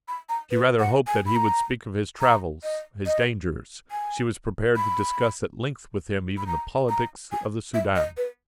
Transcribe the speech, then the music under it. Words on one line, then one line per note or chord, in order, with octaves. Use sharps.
She rather hoped that he would speak of his travels, his dangers; she was prepared to discuss at length with him even the politics of the Soudan.
B5
A#5
B4
F#5
G#5
B5
A#5
A#5
D#5
D#5
G#5
B5
B5
A#5
A#5
G#5
E5
D#5
B4